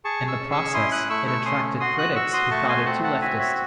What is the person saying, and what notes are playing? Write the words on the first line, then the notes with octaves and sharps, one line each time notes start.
In the process, it attracted critics who thought it too 'leftist'.
G#4 A5 C#6
C#6 E6
C#4
C#6 E6
E4 C6 D#6
D#6 F#6
A3 C#6 E6
C#6 E6
C#4 C6 D#6
F#4 C6 D#6
D#6 F#6
F#4 C#6 E6
C6 D#6
A3 A5 C#6
G#5 C6
C4 F#5 A5
F#5 A5
F#4 E5 G#5
C#5 E5